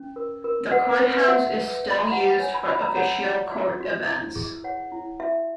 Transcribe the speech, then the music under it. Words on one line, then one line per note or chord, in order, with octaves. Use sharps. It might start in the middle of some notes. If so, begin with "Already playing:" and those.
The courthouse is still used for official court events.
Already playing: C#4
A#4
A#4
B4 F#5
B4
E5
F#4 F#5
B4
C#5
B5
A#5
F#4 F#5
F#5
C#5 G#5
B5
F#4 B5
A#5
C#5 F#5
F#4
F#4
F#4
E4
G#4
C#5 F#5
E4
F#4 E5